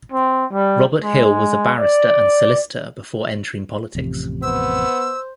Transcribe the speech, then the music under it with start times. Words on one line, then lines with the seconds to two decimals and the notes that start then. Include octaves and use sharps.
Robert Hill was a barrister and solicitor before entering politics.
0.12 C4
0.52 G3
1.02 G#3
1.78 D5
3.95 A1 F2 C3
4.43 B3 C5 E6